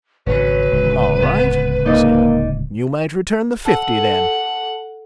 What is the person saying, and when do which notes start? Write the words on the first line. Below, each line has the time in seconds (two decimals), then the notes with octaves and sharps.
"All right," he said, "you might return the fifty then."
0.26 G#1 F2 C#3 F#3 C#4 B4
0.70 D1 C#2
1.20 C3 B3
1.86 A#3 D#4 D5 D#5
3.65 A4 F#5